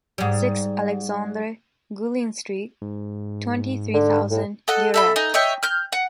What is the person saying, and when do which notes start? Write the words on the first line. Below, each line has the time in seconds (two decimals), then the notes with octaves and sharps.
Six Alexandre Guillon Street, twenty-three thousand, Guéret.
0.18 G#2 G3
2.82 G#2
3.93 D3
4.31 A2
4.68 A4 D#5 F#5
4.94 A4 E5 B5
5.16 D#4 G#5
5.34 C#5 D#5 E5 G5
5.63 F6 G6
5.92 F#5